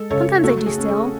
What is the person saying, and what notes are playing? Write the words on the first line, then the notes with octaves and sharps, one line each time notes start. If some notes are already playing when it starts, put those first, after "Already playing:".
"Sometimes I do still."
Already playing: G#3 A4
C#3 A4 C#5
A3 F#4 A4
G#4
C#4
G#4